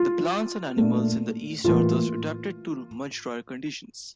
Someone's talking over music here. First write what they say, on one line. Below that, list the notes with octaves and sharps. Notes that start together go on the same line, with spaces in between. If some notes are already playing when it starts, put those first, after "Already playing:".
The plants and animals in the east are thus adapted to much drier conditions.
Already playing: F4
A#2 A3 D4
A2 E3 A#3 F4